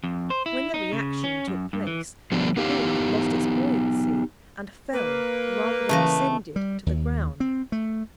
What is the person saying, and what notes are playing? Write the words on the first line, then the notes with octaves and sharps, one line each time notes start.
When the re-action took place, the balloon had lost its buoyancy, and fell, rather than descended, to the ground.
F2
C5
E4
D#4
C#3
C#4
F#2
G2
E3
D3 F3 G3 B3 D4
B3 D#4 G4 F5
A#3 B4
C#3 E3 A3 D#5
G3
D#2
C4
A3